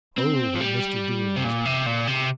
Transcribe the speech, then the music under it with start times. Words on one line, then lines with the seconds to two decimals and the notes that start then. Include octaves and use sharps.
Oh, but Mr. Doodle was proud!
0.18 C4
0.55 F3
0.61 G3
1.36 C3
1.44 A#2
1.65 C3
1.86 A#2
2.07 C3